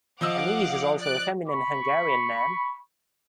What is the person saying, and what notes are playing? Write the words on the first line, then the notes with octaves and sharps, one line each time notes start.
Emese is also a feminine Hungarian name.
F3 D#5 F5 F#5 D6 E6
D5 F#6 D7
B5 C#6